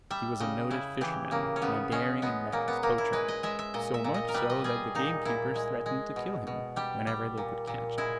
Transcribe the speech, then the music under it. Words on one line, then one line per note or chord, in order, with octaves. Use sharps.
He was a noted fisherman and a daring and reckless poacher, so much so that the gamekeepers threatened to kill him, whenever they could catch him.
G3 E5
C#3 D#5
C#3 E4
E3 G4
C#3 A#3
C#4
C#3 B3
G#3 C#4
G#3 B3
A#2 A#3
B3
A#2 A#3
E4
G#3 B4
D#5
G#3 E5
E5
A#2 D#5
E5
A#2
D#5
A#4
G3 B4
D#5
G3 G#4
A#2 D#4
A#2 E4
G#3
G#3
B2
B2
G3 G4
G3
A#2
A#2
G#3 E4